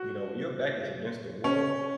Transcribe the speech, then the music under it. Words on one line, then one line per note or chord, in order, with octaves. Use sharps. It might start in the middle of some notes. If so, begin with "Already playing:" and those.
you know, "When your back is against the wall,
Already playing: F#4
C#4